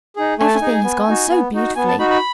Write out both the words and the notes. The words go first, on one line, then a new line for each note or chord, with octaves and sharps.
Everything has gone so beautifully.
D#4 G#4
A3 G#5
A5
G#5
D#4 G#4
B3
D#4 F#4
B3
D#4 F#4
B3 G#5
A5
D#4 F#4 B5
B5